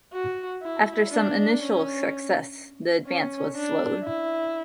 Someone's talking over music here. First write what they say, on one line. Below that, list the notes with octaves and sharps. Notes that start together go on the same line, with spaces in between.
After some initial successes the advance was slowed.
F#4
E4
D4
C#4
C#4
D4
E4